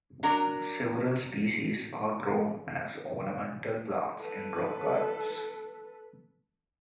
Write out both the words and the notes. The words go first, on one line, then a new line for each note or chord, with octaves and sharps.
Several species are grown as ornamental plants in rock gardens.
F#3 D4 A#4 A#5
A4 B4